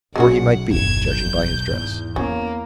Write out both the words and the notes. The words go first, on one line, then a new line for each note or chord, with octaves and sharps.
Poor he might be, judging by his dress.
B1 G#3 C#4 F#4 F#5
G1 E2 G#6 E7
G6
E2 G#2
A#3 B3 C#4